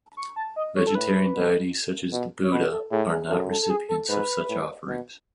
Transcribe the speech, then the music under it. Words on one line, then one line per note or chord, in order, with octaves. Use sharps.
Vegetarian deities such as the Buddha are not recipients of such offerings.
C#6
A5
D#5
C#5
A4
A2 B4
B2
B2
C#5
B2 B4
A4
A2 G#4
G#4
F#2 A4
A4
A4
G#4
A4
G#2 B4
A2
B2